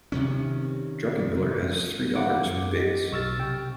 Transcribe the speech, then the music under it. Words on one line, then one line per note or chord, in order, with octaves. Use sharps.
Druckenmiller has three daughters with Biggs.
C3 D#3 C#4
F5 F#5 D6
F#2
G4 D#5
B1 C#6 E6 F6 A6
C3 G5